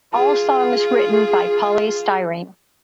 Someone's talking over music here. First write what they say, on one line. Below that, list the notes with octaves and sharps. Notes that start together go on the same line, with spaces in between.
All songs written by Poly Styrene.
F4 G#4